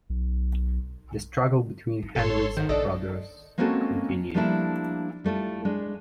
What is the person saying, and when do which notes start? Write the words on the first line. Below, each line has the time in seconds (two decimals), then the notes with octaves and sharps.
The struggle between Henry's brothers continued.
0.10 B1
2.02 D#4
2.15 G#1 G2 A4 C#5 C6
2.57 D#3 C5 F#5
2.69 A#1 D4 A4 D5 D#5
3.58 G#3 A#3 C4 C#4 F#4 A4
4.34 F3 G3 A3 A#3 D4 E4
5.24 G3 A3 E4 F4
5.65 G#3 D4